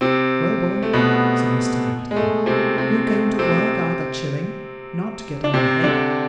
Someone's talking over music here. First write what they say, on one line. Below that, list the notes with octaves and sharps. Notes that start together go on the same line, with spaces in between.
'Well, boy,' said Mr Witherden, 'you came to work out that shilling;--not to get another, hey?'
C3 C4
A3
B2 B3
G#3
A3
C3 C4
C3 C4
A3
C3 C4
D4
C3 C4
D3 D4